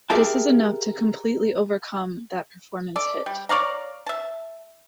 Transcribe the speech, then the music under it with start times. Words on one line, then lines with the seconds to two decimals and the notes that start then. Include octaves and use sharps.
This is enough to completely overcome that performance hit.
0.10 G4 G#4 A#4 E5 G5 A5
2.96 A4 D5
3.26 G3
3.49 C#5 D5 F5 A#5
4.06 E5 A5